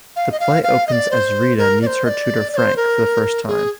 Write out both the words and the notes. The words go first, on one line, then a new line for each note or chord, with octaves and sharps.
The play opens as 'Rita' meets her tutor, Frank, for the first time.
F5
D#5
F5
F5
D#5
D5
C5
A#4
D5
C5
D#5
D5
D5
C5
A#4
G#4